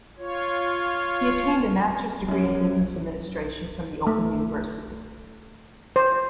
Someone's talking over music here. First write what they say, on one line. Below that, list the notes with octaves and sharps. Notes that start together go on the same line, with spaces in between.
He attained a master's degree in business administration from the Open University.
F4 C#5
F#2 C#4
A3
C5